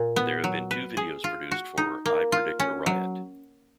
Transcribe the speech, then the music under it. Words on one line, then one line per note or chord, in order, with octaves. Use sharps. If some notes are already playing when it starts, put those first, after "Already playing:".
There have been two videos produced for "I Predict a Riot".
Already playing: A#2
B3
F#3
B4
G#4
F4
F#4
D#4
A#3
F4
C#4
F#3